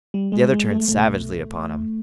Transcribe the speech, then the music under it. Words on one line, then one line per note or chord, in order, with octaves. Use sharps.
The other turned savagely upon him.
G3
G#3
G#3
G#3
A3
C2 B2 A3